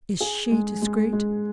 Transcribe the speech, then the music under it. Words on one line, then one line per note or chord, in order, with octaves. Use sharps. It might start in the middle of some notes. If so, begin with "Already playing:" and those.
"Is she discreet?"
G#4
G#3
G#3
G#3